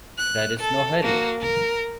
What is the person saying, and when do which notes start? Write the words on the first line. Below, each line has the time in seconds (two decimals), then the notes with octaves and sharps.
There is no hurry.
0.18 F#6
0.59 A4
1.02 A#3 F#4
1.40 A#4